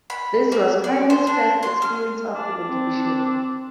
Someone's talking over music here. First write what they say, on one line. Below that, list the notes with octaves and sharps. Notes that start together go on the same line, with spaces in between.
This was Primus' first experience of relegation.
B5
A#3
D5
C5
D4
C6
F6
D4
C4